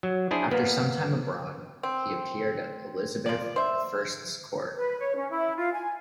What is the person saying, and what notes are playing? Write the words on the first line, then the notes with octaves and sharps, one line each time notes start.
After some time abroad, he appeared at Elizabeth the First's court.
F#3
D4 E4 G#4 C5
A#3 B3 B4
C4
F3 D5
C5 E5
B4
C#5
C#4
E4
F4
G#5